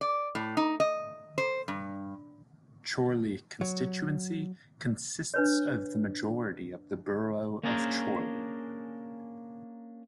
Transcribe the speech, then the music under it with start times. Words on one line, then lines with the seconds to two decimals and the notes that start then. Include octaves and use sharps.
Chorley constituency consists of the majority of the borough of Chorley.
0.01 D5
0.35 A2
0.57 D#4
0.80 D#5
1.38 C5
1.68 G2
3.61 F#3
5.34 D4 B4 C#5
7.63 A#3 C#4 D4 G#4 A#4 C5